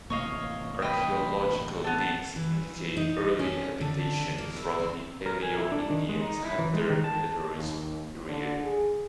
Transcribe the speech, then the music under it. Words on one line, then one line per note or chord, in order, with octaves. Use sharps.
Archeological digs indicate early habitation from the Paleo-Indians Hunter-gatherers period.
A1 C3 A#3 C#5 D#5 F5
B4 D#5 G5
B3 A4
E3
D#4
C#4
D3
A#3
E4
C4
A#4
G#5
E4
D4
D#3
G#3
D#4
E4
E3
G#3
D#3
A5
D#2
D3
G#4